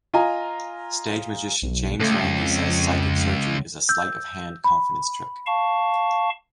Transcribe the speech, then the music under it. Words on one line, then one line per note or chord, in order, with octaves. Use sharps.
Stage magician James Randi says psychic surgery is a sleight of hand confidence trick.
F4 D#5 G#5 A#5
B1
C#2 A3
F2
E6 G6
B5
F5 A5 C#6